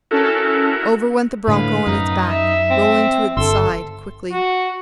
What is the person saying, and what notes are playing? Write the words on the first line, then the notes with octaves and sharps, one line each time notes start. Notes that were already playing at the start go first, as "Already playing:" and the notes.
Over went the broncho on its back, rolling to its side quickly.
C#4 E4 F#4 A4 A#4
A2 D3 B4 F5
F#2 D#4
E5
C4
G1 A4 C6 E6
F#4